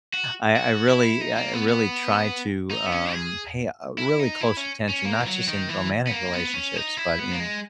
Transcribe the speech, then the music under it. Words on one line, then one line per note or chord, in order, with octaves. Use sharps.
I I really I really try to, um, pay, uh, really close attention, not just in romantic relationships, but in,
F#4
F#4
E4
D#4
A#3
B3
B3
D#4
B3
C#4
G#4
E4
D#4
E4
C#4
C#4
A#3
E3
F#3
D#3
E3
B3
A#3
B3
C#4
D#4
E4
B3
A#3
G#3